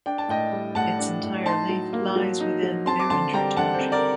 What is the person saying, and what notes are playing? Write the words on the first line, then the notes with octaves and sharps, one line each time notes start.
Its entire length lies within Bearinger Township.
D4 G5
A5
A2 D#5 G5
G3
A2 F#5 A5
D4
A2
D#4 A5 C6
F#3
A#3
F#3
D#4
F#3
C4 A5 C6
D6
D3 A5 C6
G3 G5 A#5
D3 F#5 A5
C5
C4
A#4 D5